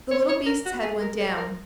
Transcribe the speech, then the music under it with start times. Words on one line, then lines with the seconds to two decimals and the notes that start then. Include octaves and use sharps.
The little beast's head went down.
0.11 C#5
0.29 C#5
0.46 A#4
0.66 F#4
0.83 G#4
1.02 A#4
1.19 C#5
1.37 A#4